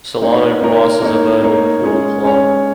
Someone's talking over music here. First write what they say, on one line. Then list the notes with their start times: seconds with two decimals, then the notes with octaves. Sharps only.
Solano grass is a vernal pool plant.
0.22 A#3 D#4 A#4 C#5
0.62 A#3 D#4 A#4 C#5
1.02 A#3 D#4 A#4 C#5
1.43 A#3 D#4 A#4 C#5
1.83 G#3 C#4 G#4 C#5
2.23 G#3 C#4 G#4 C#5